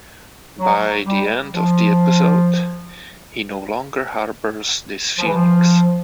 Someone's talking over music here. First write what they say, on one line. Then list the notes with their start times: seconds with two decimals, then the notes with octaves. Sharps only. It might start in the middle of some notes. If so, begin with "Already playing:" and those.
By the end of the episode, he no longer harbors these feelings.
0.58 F#3
1.05 G3
1.51 F3
5.19 F3
5.26 E3
5.34 F3